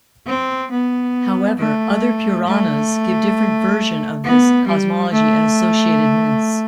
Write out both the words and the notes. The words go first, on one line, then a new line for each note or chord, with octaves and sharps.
However, other Puranas give different version of this cosmology and associated myths.
C4
B3
A3
A3
B3
G3
A3